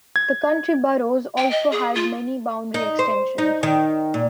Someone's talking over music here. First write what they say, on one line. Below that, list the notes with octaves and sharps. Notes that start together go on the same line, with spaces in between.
The county boroughs also had many boundary extensions.
G#6
G5
D#5
G#4
F4
D#4
C5
D#4
D#3
A#2